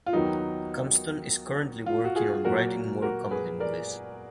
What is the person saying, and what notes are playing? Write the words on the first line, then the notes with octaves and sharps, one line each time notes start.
Cumpston is currently working on writing more comedy movies.
F4
D#2 D#3 F#3 B3 D#4
F4
F#4
F4 G#4
A#2 F#3 A#3 F#4 A#4
F#4 A#4
G#4 B4
A#4 D5